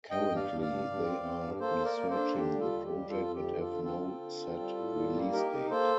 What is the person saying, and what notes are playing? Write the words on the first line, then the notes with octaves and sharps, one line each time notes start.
Currently they are researching the project and have no set release date.
G2 D#5 G5
G2
D5 F5
G2
D5 F5
G2
G2
C4
C4
G2
A#3 A4 C5
A#3
A#4 D5
A#3
A4 C5
D4
D3 G4
G3
F4 A4
D#2
G4
G3
F2 F4 A4
F2
G4
D3
F4 A4
D3
C4 F4 A4
C4
D3
C4
G3
A2
G3
A#3
D#4 G4 A#4
D#4
A#3 A4 C5